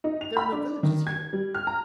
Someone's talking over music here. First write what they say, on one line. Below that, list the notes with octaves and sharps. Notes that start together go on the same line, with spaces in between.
There are no villages here?
D#4
F7
B5
D4
D#3
G#6
G3
F6
A#5